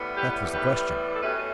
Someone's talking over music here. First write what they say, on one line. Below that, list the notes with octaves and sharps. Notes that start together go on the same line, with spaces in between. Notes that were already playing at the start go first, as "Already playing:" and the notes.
That was the question.
Already playing: A2 E3 G3 B3
G4 B4
A2 E3 G3 B3 G4 B4
A4
B2 A3 C#4 G4 B4